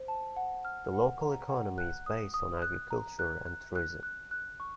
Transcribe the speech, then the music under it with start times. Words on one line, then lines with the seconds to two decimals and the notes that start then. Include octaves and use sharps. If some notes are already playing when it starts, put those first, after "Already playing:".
The local economy is based on agriculture and tourism.
Already playing: C5
0.08 A5
0.36 F#5
0.65 F6
0.93 F#5
1.21 A#5
1.49 F#5
1.78 F#6
2.06 D#6
2.34 D#6
2.62 F#6
2.90 A#5
3.19 F#6
3.46 F#6
3.76 F#6
4.03 F#6
4.31 F#6
4.60 C#6